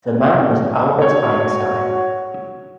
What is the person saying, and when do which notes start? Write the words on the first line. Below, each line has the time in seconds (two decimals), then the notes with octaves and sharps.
The man was Albert Einstein.
1.02 F#4 C#5